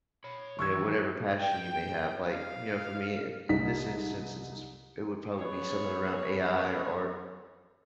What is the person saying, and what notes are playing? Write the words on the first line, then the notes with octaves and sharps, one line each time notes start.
you know, whatever passion you may have, like, you know, for me, i in this instance, it's just it would probably be something around AI or art,
C#5 B5
D#3 E3 C#6 E6 G#6
G5
F5
C2 D#4 B6
B3 C#4 G#4 C#5